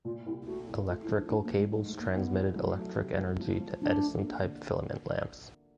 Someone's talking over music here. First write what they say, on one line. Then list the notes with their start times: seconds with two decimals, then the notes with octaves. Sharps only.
Electrical cables transmitted electric energy to Edison-type filament lamps.
0.05 A#2 F4
0.26 C2 E4
0.46 A3 F#4
0.67 C2
0.88 A3 F4
1.03 E4
1.09 F3
1.16 D4
1.30 F3 D4
1.45 A#3
1.51 F3
1.58 G#3
1.72 G#2 G#3
1.87 A3
1.93 G#2
2.00 A#3
2.14 G#2 B3
2.35 E3
2.56 F#3
2.77 A3
2.98 C3
3.18 F#3
3.40 F3
3.60 F3
3.82 F3 D4
4.02 A3
4.23 A#3
4.44 D3